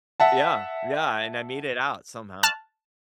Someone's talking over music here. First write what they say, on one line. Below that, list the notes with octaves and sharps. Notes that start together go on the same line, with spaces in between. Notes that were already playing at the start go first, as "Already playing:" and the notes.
Yeah. Yeah, and I made it out, somehow.
E5 F#5 A5
A5 F6 F#6